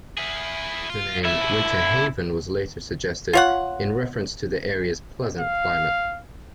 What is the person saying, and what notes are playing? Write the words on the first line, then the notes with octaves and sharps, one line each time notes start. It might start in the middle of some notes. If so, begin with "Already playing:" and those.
The name Winter Haven was later suggested, in reference to the area's pleasant climate.
E4 G#4
F4
E3 A3 E4
B2 D3
F4 C#5 F#5
F5